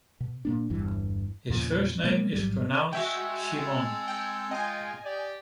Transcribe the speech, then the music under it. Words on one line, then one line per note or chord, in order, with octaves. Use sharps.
His first name is pronounced "Shimon".
B2
A#2 A#3 D4
G1 E2 G2 E3
E2 A#2 C#3 F3
B2 G#3 A#3
A1 G#2 F#3 G3
G#3 F#4 A4 E5 G5
C4
G5
F4 D#5 G5 G#5
G4 D5